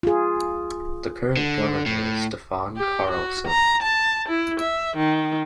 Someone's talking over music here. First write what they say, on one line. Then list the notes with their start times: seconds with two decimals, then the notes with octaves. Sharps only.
The current Governor is Stefan Carlsson.
0.03 F4 G#4
1.37 D3
1.86 A2
2.77 G4
3.11 F#4
3.48 A#5
3.83 A5
4.29 E4
4.60 E5
4.97 D#3